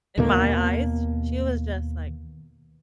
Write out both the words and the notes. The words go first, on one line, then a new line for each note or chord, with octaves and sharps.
in my eyes, sh she was just, like,
D#2 B2 A#3